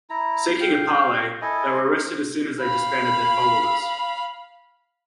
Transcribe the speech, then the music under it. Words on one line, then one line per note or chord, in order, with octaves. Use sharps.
Seeking a parley, they were arrested as soon as they disbanded their followers.
E4 A#5
F5 G5
E4 A4 D#5 G#5
F5 B5